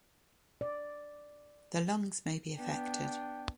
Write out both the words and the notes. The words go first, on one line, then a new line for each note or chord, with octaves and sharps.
The lungs may be affected.
D5
B3 D4 G5